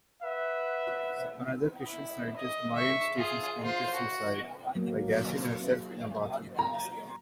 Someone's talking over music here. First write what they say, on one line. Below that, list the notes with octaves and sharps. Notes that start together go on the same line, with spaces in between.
Another Christian Scientist Marion Stephens committed suicide by gassing herself in a bathroom.
B4 E5 F#5
E4
D#5
E5 C#6
F4 G#4
F4 C5
F#4
F#3 A#3
A#5